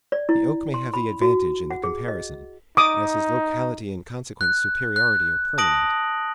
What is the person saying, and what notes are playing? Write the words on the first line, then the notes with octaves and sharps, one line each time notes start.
The oak may have the advantage in the comparison, as his locality and consequent superiority are permanent.
D5
E4
C6
B5
F#4
F#5
G#4
D#5
D#4 D6 D#6
F#6
F#6
A5 D#6 A#6 D7 F#7